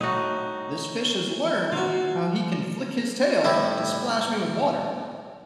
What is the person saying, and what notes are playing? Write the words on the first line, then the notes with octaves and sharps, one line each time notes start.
this fish has learned how he can flick his tail to splash me with water.
A2 D#4 F#4
A#3 F4 F#4
A2 G3 E4